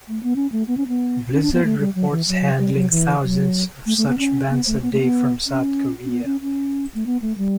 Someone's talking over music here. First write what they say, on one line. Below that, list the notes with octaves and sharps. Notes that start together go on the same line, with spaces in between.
Blizzard reports handling thousands of such bans a day from South Korea.
A3
B3
C#4
A3
B3
C#4
B3
C#4
D4
B3
A3
G3
F#3
E3
F#3
G3
F#3
E3
F#3
A3
A3
B3
C#4
B3
A3
B3
A3
B3
C#4
C#4
B3
C#4
C#4
A3
B3
A3
G3